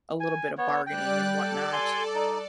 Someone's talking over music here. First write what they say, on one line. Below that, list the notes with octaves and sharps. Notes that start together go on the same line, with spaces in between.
a little bit of bargaining and whatnot.
G#5
B3 C#5
G3 D5 G5 F#6
A4 D5
G#5 C6
D#4